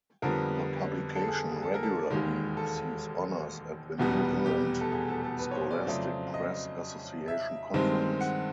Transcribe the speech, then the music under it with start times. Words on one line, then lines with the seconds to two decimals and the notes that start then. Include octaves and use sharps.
The publication regularly receives honors at the New England Scholastic Press Association conference.
0.22 F2 D3 G3 B3 A#4
1.16 A4
1.28 G#4
1.52 G#4
1.63 A4
1.74 A#4
1.83 A4
2.11 E1 D#2 D#3 G#3
2.57 A4
3.98 F1 E2 B2 G3 B3
4.46 G4
4.81 A4
4.92 G#4
5.08 A4
5.24 A4
5.39 B4
5.51 C#5
5.55 C5
5.70 D5
5.86 F2 C#3 F#3 A3 C4 D5
6.34 D#5
7.28 E5
7.74 G2 D#3 G#3 C4
8.21 F#5